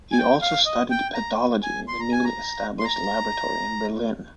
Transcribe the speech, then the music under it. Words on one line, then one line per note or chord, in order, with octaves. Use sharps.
He also studied pedology in the newly established laboratory in Berlin.
G#5
G5
F5
D#5
G5
A#5
G#5
C6
A#5
G#5
A#5
C6
A#5